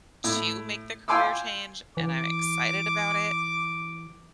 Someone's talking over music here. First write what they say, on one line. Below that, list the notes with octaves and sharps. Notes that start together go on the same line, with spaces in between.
to make the career change, and I'm excited about it,
A2
F5 G5 G#5 C6 D6 E6
E3 D6